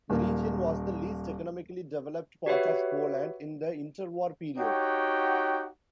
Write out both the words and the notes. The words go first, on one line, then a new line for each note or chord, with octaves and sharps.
The region was the least economically developed part of Poland in the interwar period.
D#1 A#3
F#4 G4 B4 C#5 E5 F#5
D#4 F#4 G4 C#5 F#5 G5